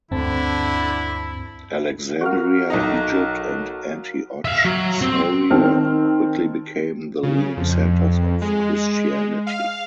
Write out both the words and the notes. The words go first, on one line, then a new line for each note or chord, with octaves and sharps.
Alexandria, Egypt and Antioch, Syria quickly became the leading centers of Christianity.
D2 G2 D3 C4 E4 A4 A5
F#4 A#4 F5
B1 D#4 A#5
E5 F5
F#3
C4
D#3 C4 A5 F6
C#3
F2
G#3
F5